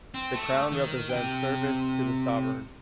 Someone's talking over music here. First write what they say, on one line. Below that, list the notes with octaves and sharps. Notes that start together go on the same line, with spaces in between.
The Crown represents service to the Sovereign.
C4
A3
D#3
C3 G5